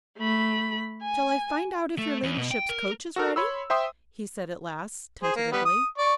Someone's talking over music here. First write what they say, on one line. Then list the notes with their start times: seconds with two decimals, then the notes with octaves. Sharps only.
"Shall I find out if your ladyship's coach is ready," he said at last, tentatively.
0.17 A3 B5
1.03 G#5
1.98 A3
2.23 E2
2.38 B2
2.51 G5
2.69 A#4
3.16 F#4 A4 A#4
3.36 C#5 B5 C6 E6
3.70 C5 E5 G5 C6 D#6
5.23 G#4 C5
5.36 A#3
5.52 G3 B3
5.65 D#6
5.98 D5 C#6